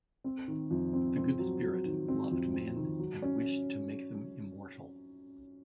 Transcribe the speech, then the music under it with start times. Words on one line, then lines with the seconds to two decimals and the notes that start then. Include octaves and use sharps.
The Good Spirit loved men and wished to make them immortal.
0.24 C4
0.48 D#3
0.71 F2
0.93 C4
1.16 C4
1.39 F#3
1.62 F#3
1.85 D#3
2.08 C4
2.31 F2
2.54 C4
2.76 D#3
2.99 F#3
3.22 C#4